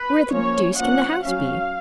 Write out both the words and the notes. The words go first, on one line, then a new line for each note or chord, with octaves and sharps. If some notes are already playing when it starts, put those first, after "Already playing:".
Where the deuce can the house be?
Already playing: B4
F3 A#3 C#4 C#5
F3 A#3 C#4 F#5
F#3 C#4 F5